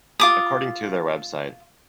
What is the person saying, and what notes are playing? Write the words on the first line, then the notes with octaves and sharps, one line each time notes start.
According to their website.
F4 D6 D#6